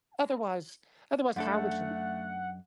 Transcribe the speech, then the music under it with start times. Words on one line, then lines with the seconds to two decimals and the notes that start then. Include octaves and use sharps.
otherwise otherwise, how would you
1.36 F#2 A3 D4 A4 F#5